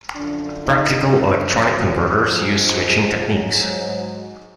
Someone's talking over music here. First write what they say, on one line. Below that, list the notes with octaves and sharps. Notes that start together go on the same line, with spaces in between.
Practical electronic converters use switching techniques.
F#2 D3 F3 D4
D#4
F#2 F3
F#4
G#2 F3
G#4
G#2 F#3